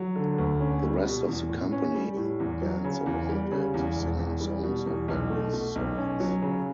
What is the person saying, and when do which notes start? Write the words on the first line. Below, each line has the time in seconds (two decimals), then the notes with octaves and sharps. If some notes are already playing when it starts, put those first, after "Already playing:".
The rest of the company dance around it singing songs of various sorts.
Already playing: F#3
0.16 D3
0.38 D2
0.60 C#4
0.83 G3
1.05 B2
1.28 E2
1.49 A2
1.72 C#4
1.95 G3
2.17 A2
2.40 E2
2.62 F#3
2.85 C#3
3.06 E2
3.29 G3
3.52 C#3
3.74 E2
3.96 E1
4.19 E2
4.41 G3
4.63 B2
4.86 E2
5.08 B1
5.30 A3
5.53 B2
5.76 B1
5.97 C#4
6.20 F#3
6.42 C#3